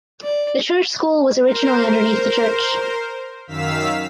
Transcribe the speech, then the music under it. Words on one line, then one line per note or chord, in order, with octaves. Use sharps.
The Church school was originally underneath the church.
D5
A#4 C5
F#2 D#3 F5 E6 B6